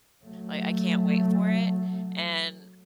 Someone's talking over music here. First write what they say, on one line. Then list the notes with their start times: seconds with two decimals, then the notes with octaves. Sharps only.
I I can't wait for it, and
0.24 F#3 A3